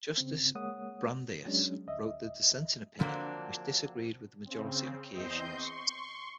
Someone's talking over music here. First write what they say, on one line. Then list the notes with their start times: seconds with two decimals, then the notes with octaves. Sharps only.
Justice Brandeis wrote the dissenting opinion, which disagreed with the majority on key issues.
0.18 C#3 C4
0.55 G#3 A#3 C#5 F#5 D#6
1.46 F#3 G#3 C#4 D4
1.87 D2 D#5 E5
2.99 D3 F3 F#3 A#3 C4 D4
4.45 C#3 C4
5.12 E2 C4 D#5 C6 G6
5.56 C6 C#6